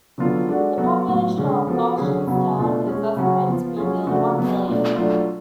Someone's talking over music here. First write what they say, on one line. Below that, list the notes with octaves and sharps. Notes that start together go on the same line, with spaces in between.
The population of Gulshan Town is estimated to be nearly one million.
D3 F#3 B3 F4 A4
G#3 D4 F#4 A4
F#3 B3 F#4 A4
A2 F#3 B3 F#4
D3 G#3 C#4
F3 B3 F#4 A4
D3 F#3 C#4 G#4
C#3 F#3 B3 F#4
B2 A3 D4 F4
G#3 C#4 G#4
C#3 F#3 C#4 F#4
F3 B3 F4
F#3 C#4 F4 G#4
C#3 F3 A3 D4 F#4
F#3 B3 F#4
B2 A3 D4 F4
F#3 A3 D4 F4